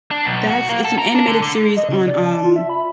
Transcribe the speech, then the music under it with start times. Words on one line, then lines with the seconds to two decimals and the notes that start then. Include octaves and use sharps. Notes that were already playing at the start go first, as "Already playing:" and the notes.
That's it's an animated series on, um,
0.11 D4
0.25 B1
0.50 F#4
0.69 A#3
0.85 A4
0.98 A#4
1.15 D4
1.28 D3
1.42 D3
1.76 D#5
1.89 C#3
2.07 D5
2.25 A5
2.44 F4
2.56 E5
2.69 B5